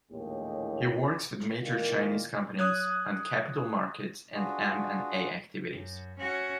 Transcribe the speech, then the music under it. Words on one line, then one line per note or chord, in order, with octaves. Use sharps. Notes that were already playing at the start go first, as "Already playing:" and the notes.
He works with major Chinese companies on capital markets and M and A activities.
A#1 D#2 A2 E3 G#3 G4
A#2 D#3 E3 G3 A#3
F#3 D#6 F#6 G#6
D4 F4 F#4 G#4 B4
F#2
C#4 F#4